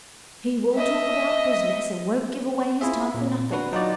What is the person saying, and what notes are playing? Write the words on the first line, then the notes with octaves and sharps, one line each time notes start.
He will talk about business, and won't give away his time for nothing.
D#5 E5
E4 F4 G#4 E5
A#2
D4 F#4 B4
F#3 D#4 F4 F#4 D5